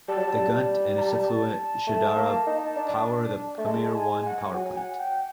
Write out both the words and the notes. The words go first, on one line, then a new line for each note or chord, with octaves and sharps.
The Gunt, and its affluent Shahdara, power the Pamir I power plant.
G3 A5
F#3
G3
A#5
A5
A3
A#3
D#4
D4
A3
G#3 A5
G#5
F#5
F#3 G#5
F#5
G5